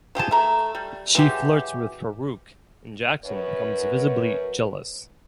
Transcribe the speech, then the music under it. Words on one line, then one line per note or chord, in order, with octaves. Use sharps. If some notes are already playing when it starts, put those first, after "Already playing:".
She flirts with Farooq and Jackson becomes visibly jealous.
F3 G4 G#4 A5
A3 A#5
G3
E3 F#3 G#3 G4
F#2 B4 C#5